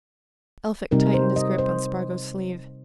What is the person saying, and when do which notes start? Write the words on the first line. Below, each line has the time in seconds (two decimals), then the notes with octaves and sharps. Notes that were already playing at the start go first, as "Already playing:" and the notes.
Elphick tightened his grip on Spargo's sleeve.
0.91 C3 G3 C4 D#4 A#4
1.14 C5
1.36 D#5
1.58 C5